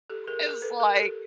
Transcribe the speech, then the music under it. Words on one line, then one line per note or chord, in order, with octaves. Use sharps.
it's like
G4 A4
G#4 A#4
G#4 A#4
A4 B4
G#4 A#4
G4 A4